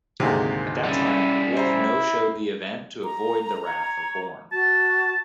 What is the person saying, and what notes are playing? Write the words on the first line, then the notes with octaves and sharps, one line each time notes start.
At that time Wolfe no-showed the event to avoid the wrath of Borne.
G#1 D2 C3 G#3 A#3
G3 C#4 E4
E4 C5 A#5
A#5
C#5
F#4 A5